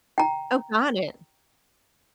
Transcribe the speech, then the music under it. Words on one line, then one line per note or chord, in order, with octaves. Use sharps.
Oh, got it.
G5 A#5